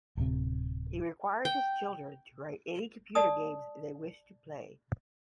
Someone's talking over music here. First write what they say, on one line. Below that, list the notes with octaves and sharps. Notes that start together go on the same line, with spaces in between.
He required his children to write any computer games they wished to play.
D1 C3
G5
D5 A5 D#6